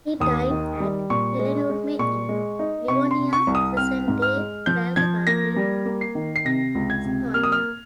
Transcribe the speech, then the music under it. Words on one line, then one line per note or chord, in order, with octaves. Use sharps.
He died at Hellenurme in Livonia, present-day Valga County, Estonia.
D#2 D#6
D#3
G3
A#2 C#6
G#3
G#3
A#2 C#6
G#3
D#4
C3 C#6
C6
C3
C#6
C2
D#6
C4 F6
G#2
F6
G#3
F3 G6
F3 G#6
A#3 A#6
G3
A#3
C7
D#3
C7
C3 A#6
C#2
G#6
C3
A#3 F6
D#6
F6